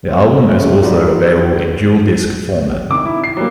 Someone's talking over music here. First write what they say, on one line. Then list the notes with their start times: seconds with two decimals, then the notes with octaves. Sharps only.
The album is also available in DualDisc format.
0.09 C4 C5 C#6
0.48 G#3 A3 C4 C#4 B4
0.82 D#4 F4 F#4 B4 D5
2.90 C2 D#3 D6
3.05 E4
3.24 C7
3.37 F#3 G3 A#3